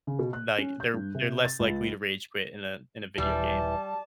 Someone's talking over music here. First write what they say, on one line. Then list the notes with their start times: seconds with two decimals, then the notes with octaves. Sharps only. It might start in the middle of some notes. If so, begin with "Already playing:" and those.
like, they're they're less likely to rage quit in a in a video game,
0.07 C#3
0.19 B2
0.33 F#6
0.58 C#4
0.80 G6
0.94 G2
1.15 C3
1.45 A6
1.59 C#2
3.18 D#1 E3 G3 A5